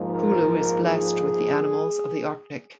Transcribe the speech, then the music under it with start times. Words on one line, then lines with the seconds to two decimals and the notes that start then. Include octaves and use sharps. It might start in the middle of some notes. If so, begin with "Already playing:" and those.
Kulu is blessed with the animals of the Arctic.
Already playing: G#2 F3 A#3 D#4
0.11 A#4
0.83 G#4